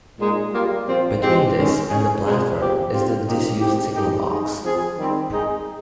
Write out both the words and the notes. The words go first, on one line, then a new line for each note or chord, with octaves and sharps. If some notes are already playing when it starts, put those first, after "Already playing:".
Between this and the platform is the disused signal box.
A#2 G#3 D#4
G3 A#3 F4
A#2 F3 C4 F4
G#3 C4 G4
D#3 G#3 C#4
G#3 C#4 G#4
A#2 G#3 C4
A#2 F3 C4 G4
G3 C4 F4
C#3 F3 A#3 D#4 G4
A#2 G#3 C4 G4
A#2 G#3 D#4 G4
G#3 D#4 G#4
F3 C4 F4 G#4
D#3 G3 C4
G#3 D#4 G#4